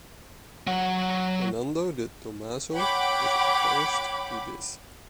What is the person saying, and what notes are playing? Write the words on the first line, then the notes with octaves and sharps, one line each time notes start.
Fernando de Tomaso is opposed to this.
F#3 F#5
C#5 F#5 G5 B5 D6